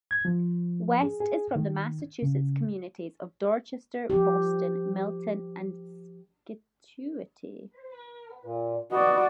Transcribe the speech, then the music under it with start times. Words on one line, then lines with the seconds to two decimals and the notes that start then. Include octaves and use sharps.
West is from the Massachusetts communities of Dorchester, Boston, Milton and Scituate.
0.11 G#6
0.25 F3
1.03 G#4
1.20 G#4
1.56 D#3
2.22 C#3
4.10 F3 G4
8.45 A#2
8.92 B3 F#4 D5 D#5